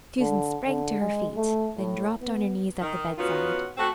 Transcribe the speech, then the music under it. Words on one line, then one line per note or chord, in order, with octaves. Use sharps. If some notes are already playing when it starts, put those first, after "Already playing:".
Susan sprang to her feet, then dropped on her knees at the bedside.
D3
D3
G#3
A3
A2
B3
D#3
D#3 B3 C#4 F4 F#4
A3 C4 F#4